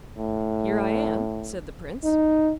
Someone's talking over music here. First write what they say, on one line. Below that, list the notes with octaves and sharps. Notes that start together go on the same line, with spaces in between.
"Here I am," said the prince.
A2
D#4